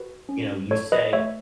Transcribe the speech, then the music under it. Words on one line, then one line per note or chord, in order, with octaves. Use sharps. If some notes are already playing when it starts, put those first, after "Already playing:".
you know, you say
Already playing: F#4 B4
C#4
A4 C#5
B4 D#5
A3 C#5 E5